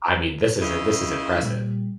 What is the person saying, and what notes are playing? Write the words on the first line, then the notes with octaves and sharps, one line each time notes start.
I mean, this is i this is impressive.
C#3 E4 D#5
A#2 G3